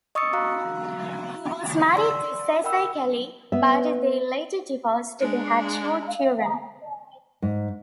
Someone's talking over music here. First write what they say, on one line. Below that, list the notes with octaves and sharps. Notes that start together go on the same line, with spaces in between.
He was married to Casey Kelley, but they later divorced; they had two children.
D#5 C#6 D#6 E6 A6 C#7
F#4 F5 A#5 E6 F#6
D5 C6 E6
A#4 F#5 G5 B5 E6
B3 E5
G#3 D4
G#2